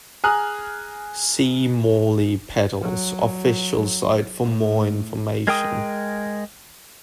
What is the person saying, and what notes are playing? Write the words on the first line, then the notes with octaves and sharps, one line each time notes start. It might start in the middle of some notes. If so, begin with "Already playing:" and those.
See Morley Pedals official site for more information.
G#4 G#5 A#5 D#6 F6 F#6
F#3
A2
G#3 A#4 G5 D#6